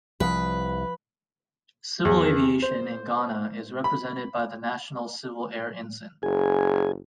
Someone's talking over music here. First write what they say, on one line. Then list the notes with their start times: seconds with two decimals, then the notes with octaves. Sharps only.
Civil aviation in Ghana is represented by the national civil air ensign.
0.20 C2 F3 B4 D#6 C7
2.05 E2
2.62 C5
3.84 B5
6.23 F#1 G#4 G#5